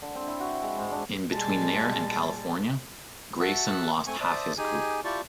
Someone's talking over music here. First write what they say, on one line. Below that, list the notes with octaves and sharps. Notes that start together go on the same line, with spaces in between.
In between there and California, Grayson lost half his group.
D3
C4
E4
F#4
G#3
G#2
D4
A#2 G3 G#3 A5
F#4 E5 F#5 A5 E6 F#6
A3 C4 G#5 C#6
C5 D5 E5 A5 D#6
D#4 G4 G#4 G#5
E4 F4 G4 D5 A5 C#6